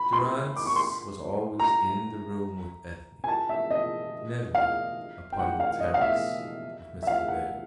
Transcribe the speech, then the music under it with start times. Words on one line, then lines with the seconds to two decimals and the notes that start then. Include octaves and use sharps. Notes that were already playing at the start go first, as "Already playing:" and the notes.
Durrance was always in the room with Ethne, never upon the terrace with Mrs. Adair.
Already playing: B5
0.13 C6
0.56 D6
0.66 C#6
0.76 C6
1.59 A#5
3.24 G#5
3.28 A5
3.49 E5
3.71 D#5
4.55 F5
5.32 G5
5.39 F#5
5.60 F5
5.80 D#5
5.94 F5
6.02 E5
7.03 E5
7.07 F5
7.28 F#5